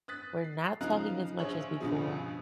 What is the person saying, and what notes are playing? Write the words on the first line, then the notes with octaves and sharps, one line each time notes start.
we're not talking as much as before,
D#6 F#6 A6 B6
C7
C#3 F3 D#4 F5 A#5 F#6
A#1 G#4 C5 C#5 F#7
C#2 G2 B2 F3 G#4